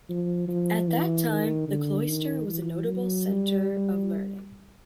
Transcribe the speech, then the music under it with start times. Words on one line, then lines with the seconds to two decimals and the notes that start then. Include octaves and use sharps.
At that time, the cloister was a notable centre of learning.
0.09 F3
0.48 F3
0.88 E3
1.28 D#3
1.68 D3
2.08 D#3
2.48 E3
2.87 F#3
3.28 G3